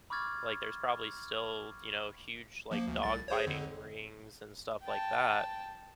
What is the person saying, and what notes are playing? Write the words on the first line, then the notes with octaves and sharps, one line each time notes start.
like, there's probably still, you know, huge, like, dogfighting rings and stuff like that
B5 C#6 D6 F6 G#6 A6
F3 A#3
D2
C2 A6
G#4 C5 C#5
F2 D3
G5 A5